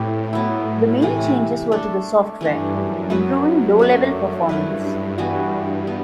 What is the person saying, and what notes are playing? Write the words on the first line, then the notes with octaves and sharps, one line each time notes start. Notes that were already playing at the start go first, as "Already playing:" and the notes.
The main changes were to the software, improving low-level performance.
Already playing: A2 A3 C4 G4 B4
F#3 B3 E4
C3 E3 A3
A3 D4 A4
G2 E3 A3 D4
F#2
F#3 B3 F#4 B4
F#3 A3 D4
G2 A3 E4 B4
E3 G3 B3 F#4
B3